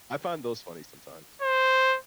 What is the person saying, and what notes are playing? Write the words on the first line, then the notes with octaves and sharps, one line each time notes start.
I I find those funny sometimes.
C5